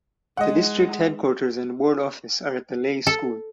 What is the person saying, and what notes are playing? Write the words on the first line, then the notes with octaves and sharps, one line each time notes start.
The district headquarters and board office are at the Leigh School.
G#3 D#5 F#5
A4